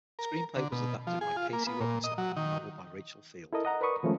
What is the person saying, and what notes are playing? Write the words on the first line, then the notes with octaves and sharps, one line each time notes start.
The screenplay was adapted by Casey Robinson from the novel by Rachel Field.
A#4
D3
B2
F3
G#4
F4
A#3
B3
A#2
D#5
F#3
D#3
E4 A4 A#4 D#5
D#5 F#5 A#5
A#4 B4 D5 B5 C#6 D#6
D#3 F3 G#3 A3 C#4